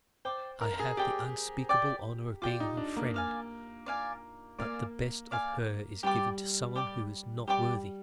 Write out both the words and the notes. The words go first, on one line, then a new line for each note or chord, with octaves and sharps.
I have the unspeakable honour of being her friend, but the best of her is given to someone who is not worthy.
C5 D5 G5 D6
A#4
A#4
G#4
G4 D5 G5 D6
D5 G5 D6
F4 D5 G5 D6
D#4
D4
A#3
D5 F5 G#5
D5 F5 G#5
A#3 D5 F5 G#5
D5 F5 G#5
G3 G4 D5 G5 D6
G4 D5 G5 D6
G3 G4 D5 G5 D6